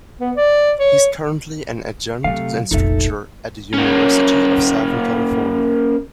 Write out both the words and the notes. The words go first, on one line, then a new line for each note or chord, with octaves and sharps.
He is currently an adjunct instructor at the University of Southern California.
B3
D5
C#5
C3 F#3 A3 F5
F1 A#1 D#4 A4 E5
A#3 C#4